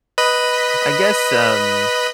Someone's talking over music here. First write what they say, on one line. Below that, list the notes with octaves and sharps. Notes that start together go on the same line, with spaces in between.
I guess, um
B4 D#5 B5